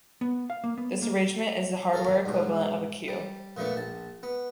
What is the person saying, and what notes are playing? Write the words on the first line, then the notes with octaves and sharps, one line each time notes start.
This arrangement is the hardware equivalent of a queue.
B3
F5
A#3
B3
A#3
A4 A#4 F5
G#2 B2
G3
A#2 F3 A3 B3 D4
A#1 A5
B3